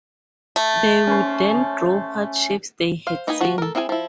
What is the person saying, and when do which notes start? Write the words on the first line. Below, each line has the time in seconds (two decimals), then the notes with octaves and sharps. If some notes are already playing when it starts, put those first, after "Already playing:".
They would then draw what shapes they had seen.
0.56 A3
1.07 C#4 C5
3.07 C5 F5
3.27 A#3 D#4 B4 D#5 G#5
3.41 F3 F#4
3.58 A4 A#4
3.75 C4 E4 G#4 A#4 G#5
3.89 F3 E4